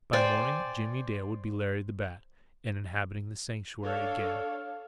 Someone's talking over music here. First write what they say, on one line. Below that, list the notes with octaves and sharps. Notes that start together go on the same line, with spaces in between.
By morning, Jimmie Dale would be Larry the Bat, and inhabiting the Sanctuary again.
C5 D5 G5 G#5
D4 A4 C#5 F5